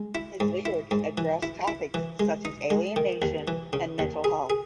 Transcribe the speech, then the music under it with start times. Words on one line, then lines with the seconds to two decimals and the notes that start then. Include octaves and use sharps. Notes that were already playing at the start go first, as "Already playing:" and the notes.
His lyrics address topics such as alienation and mental health.
Already playing: G#3
0.15 E4
0.40 G#2
0.65 E4
0.91 G#2
1.18 E3
1.43 E4
1.68 E4
1.94 E3
2.20 G#3
2.45 D#4
2.70 G#3
2.96 D#3
3.22 D#2
3.48 E3
3.73 C#3
3.99 D#2
4.24 G#4
4.50 G#4